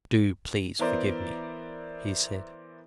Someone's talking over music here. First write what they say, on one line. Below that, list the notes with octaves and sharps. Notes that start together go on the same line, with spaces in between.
"Do please forgive me," he said.
E3 B3 E4 A#4 C5 D5